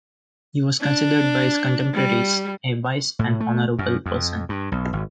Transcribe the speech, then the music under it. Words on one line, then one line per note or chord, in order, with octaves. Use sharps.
He was considered by his contemporaries a wise and honorable person.
D4
G3
A2
A3
F#2
F2
G2
B1
G#1